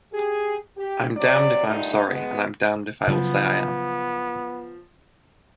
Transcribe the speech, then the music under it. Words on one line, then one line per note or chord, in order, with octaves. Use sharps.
I'm damned if I'm sorry and I'm damned if I will say I am.
G4 G#4
G4
C3 F#3 D5
G2 A#2 D3 A3 D#4
B2 G#3 B3
C#3 F3 F#3 B3